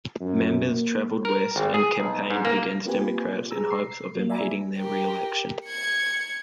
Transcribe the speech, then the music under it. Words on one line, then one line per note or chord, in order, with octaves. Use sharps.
Members traveled west and campaigned against Democrats in hopes of impeding their reelection.
F#2
A#3
A#4
G#1
G#4
B1
G#2
A#3
A#3 C4 F4 G4 B4 G#5
G#4 A#5 E6
C7
F#3 A#3
D5 E5 G#5 A#5 B5
G4 A#4
G#6 C#7